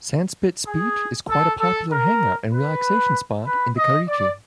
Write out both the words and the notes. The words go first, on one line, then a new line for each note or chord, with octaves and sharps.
Sandspit beach is quite a popular hangout and relaxation spot in Karachi.
G#4
A4
A4
A#4
B4
B4
D#5
D5